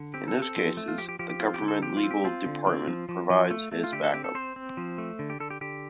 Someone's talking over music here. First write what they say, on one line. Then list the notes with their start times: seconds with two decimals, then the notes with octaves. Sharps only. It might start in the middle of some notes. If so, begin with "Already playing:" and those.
In those cases the Government Legal Department provides his back-up.
Already playing: D3
0.14 C4 G4
0.28 A4
0.35 C4
0.42 A4
0.56 F3
0.77 A3
0.88 F4
0.98 F3 G4
1.09 G4
1.19 F3 G4
1.29 G4
1.40 C4 F4
1.54 G4
1.62 D3
1.68 A4
1.82 F3 G4
1.97 F4
2.04 C4
2.11 G4
2.24 C4 F4
2.46 D3
2.67 C4
2.87 F3
3.09 F3
3.30 F3
3.51 A3
3.72 A3
3.84 F4
3.92 D3 G4
4.03 A4
4.14 C4 G4
4.24 A4
4.35 C4 C5
4.56 C4
4.77 F3
4.98 A3
5.19 D3
5.30 G4
5.40 D3 A4
5.50 G4
5.61 D3 G4